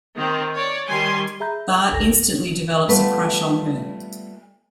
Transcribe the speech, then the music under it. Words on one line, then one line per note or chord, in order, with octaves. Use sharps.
Bart instantly develops a crush on her.
D#3 C4
C#5 D5
D#3 G3 G#5 C6
G#4 E5 A#5 B5 G6
G#1 C#2 G#2 A4 A#6
G3 A3 B3 F4 B4